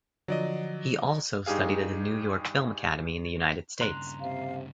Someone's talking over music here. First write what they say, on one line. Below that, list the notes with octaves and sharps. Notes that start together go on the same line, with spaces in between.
He also studied at the New York Film Academy in the United States.
D3 F3 F#3 D5 D#5
G2 D#4 G4 G#4 F5
G2 C#3 A#5 C6 F#6
C3 F5